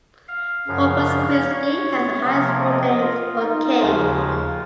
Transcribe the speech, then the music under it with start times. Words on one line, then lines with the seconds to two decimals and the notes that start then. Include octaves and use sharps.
Corpus Christi has a high school named for King.
0.28 F5
0.67 F#2 C#3 F3
1.46 C#5
2.24 C3 F3 A#3 C#5
2.63 D#5
3.02 F4
3.41 D#4
3.80 D#2 C#3 F3 G#3 F4